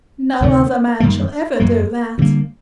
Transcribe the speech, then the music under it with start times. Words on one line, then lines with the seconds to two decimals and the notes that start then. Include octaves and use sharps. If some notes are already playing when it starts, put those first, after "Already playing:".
"No other man shall ever do that."
0.41 D2 C3 D#3 A3
1.00 F#2 D#3 G3 A#3
1.60 F#2 F#3 A#3
2.18 D2 D3 G3 A#3